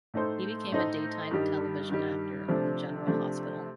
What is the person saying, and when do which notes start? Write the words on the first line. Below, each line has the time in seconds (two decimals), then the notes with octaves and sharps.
He became a daytime television actor on "General Hospital".
0.14 A2 A3 D#4 A4 C5
0.72 A2 A3 D#4 A4 C5
1.31 G2 D#3 G3
1.89 G2 D#3 G3
2.48 C3 F3 A3 D4
3.07 C3 F3 A3 D4